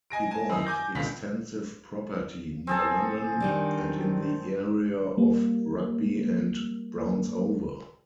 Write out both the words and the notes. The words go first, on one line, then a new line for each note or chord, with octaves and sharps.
He bought extensive property near London and in the area of Rugby and Brownsover.
D#5 G#5 A#6 D7
G#5 A5
F#2 E3 D#4 D#6
G#5 D6 G6 A#6
G#1 C#2 B2 D3 B6
C4 G#4 A4
D#3 G3 D4
G3 A#3